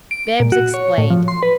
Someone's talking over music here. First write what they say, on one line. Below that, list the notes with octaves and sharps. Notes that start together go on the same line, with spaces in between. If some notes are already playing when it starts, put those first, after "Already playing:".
Bibbs explained.
D7
A#2
F#4
C#5
A2
F3
C6
B4